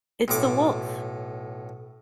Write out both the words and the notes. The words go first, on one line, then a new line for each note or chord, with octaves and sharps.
It's the Wolf!
B1 A2 D6